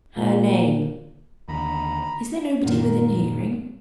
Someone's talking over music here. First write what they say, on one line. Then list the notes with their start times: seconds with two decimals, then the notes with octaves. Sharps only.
Her name--is there nobody within hearing?'
0.17 A#2
1.48 D#2 D3 A#5 B5
2.63 F#2 A#2 D#3